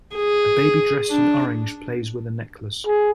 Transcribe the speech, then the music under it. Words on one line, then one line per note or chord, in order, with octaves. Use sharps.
A baby dressed in orange plays with a necklace.
G#4
D4
G#4